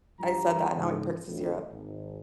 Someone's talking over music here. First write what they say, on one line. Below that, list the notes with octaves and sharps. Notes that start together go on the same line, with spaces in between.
I said that, now he perks his ear up-
G2 F3 G3 A#5
G#2 C#3
A1 D2 A2
G#1